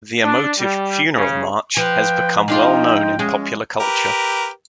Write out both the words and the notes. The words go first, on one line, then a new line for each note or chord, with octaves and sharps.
The emotive "funeral march" has become well known in popular culture.
D4
G3
C#3
F3 B4 G5
F3 D4 D#4 F4 G5
G#3 C#4
G4 A#4 B4